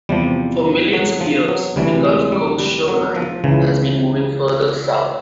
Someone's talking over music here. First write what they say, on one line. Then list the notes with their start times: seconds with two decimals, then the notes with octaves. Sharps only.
For millions of years, the Gulf Coast shoreline has been moving farther south.
0.09 E2 C3 F3 G3
0.93 F#3
1.21 F3
1.48 F#3
1.76 D2 C3 E3 G3
2.05 G#3
2.32 G3
2.60 G3
2.88 F#3
3.16 F3
3.44 C#2 C#3 E3